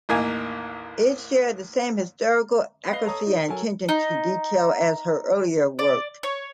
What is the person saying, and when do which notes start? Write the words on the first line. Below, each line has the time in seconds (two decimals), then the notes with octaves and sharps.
It shared the same historical accuracy and attention to detail as her earlier work.
0.09 A1 D#2 A#3 G#5
2.92 B4 D#5 F5 A#6 C7 G7
3.04 A4 C#5 A#5 D#6
3.27 D#4
3.48 F#3 A4 A#4 G#5
3.89 D#4
5.79 D5
6.23 C#5